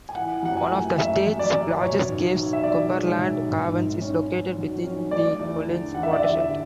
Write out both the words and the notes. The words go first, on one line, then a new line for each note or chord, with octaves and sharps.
One of the state's largest caves, Cumberland Caverns, is located within the Collins watershed.
G#5
E3 F#5
F#2 F#5
G#5
A3
F#2 E5
F#2
D5
F#2
B2 C#5
B1
B1
E5
B2 D5
G#3
B1
G#1
G#2
C#4
G#2
F#3
C#4
A3 D5
E2
D3
E2 F#5
E5
D5
E2 E5
D3